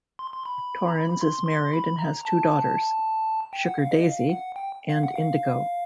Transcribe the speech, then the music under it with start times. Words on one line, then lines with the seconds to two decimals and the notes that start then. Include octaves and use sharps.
Torrens is married and has two daughters, Sugar-Daisy and Indigo.
0.19 C6
0.33 C6
0.45 B5
0.88 A#5
0.96 B5
1.10 B5
1.21 C6
1.47 C6
1.73 B5
1.99 A#5
2.25 A5
3.53 G5
3.66 F#5
3.79 F5
3.91 D#5
4.05 F5
4.30 F#5
4.56 G5
4.90 F5
5.03 F#5
5.16 F5